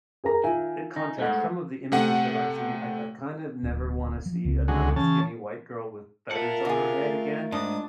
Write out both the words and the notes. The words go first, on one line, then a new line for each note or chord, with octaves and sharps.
eh, context, some of the images that I've seen, I I kind of never wanna see another skinny white girl with feathers on her head again,
G#4 A#4 A#5
D#3 F4 E5 G#5
D#4
G#2 A3 F#5
C3 A3 F#5
D1
F3
C#2 C#3 C4
D2 G#3 F#4
C#3 E3 A5
F4 A#4 E5 F#5 A5
D3 G#4
A3
G#2 D4 D#6